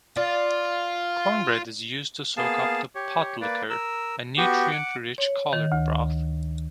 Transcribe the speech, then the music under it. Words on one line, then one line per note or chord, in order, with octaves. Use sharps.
Cornbread is used to soak up the "pot liquor", a nutrient-rich collard broth.
F4 D5 F5
A#3 B3 G#4 F5 A5
G4 C#5
A#3 B4 D5
A#4 E6
B3 F#4 G4
F#5 D6
C#5
D#3
D2